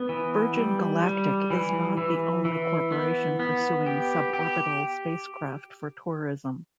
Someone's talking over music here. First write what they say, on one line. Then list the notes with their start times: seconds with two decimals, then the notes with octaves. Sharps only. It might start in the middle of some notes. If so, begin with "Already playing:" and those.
Virgin Galactic is not the only corporation pursuing suborbital spacecraft for tourism.
Already playing: B3
0.09 E3
0.56 G3
1.04 G3
1.50 E3
1.97 E3
2.45 E3
2.92 B3
3.40 B3
3.86 G4
4.33 G4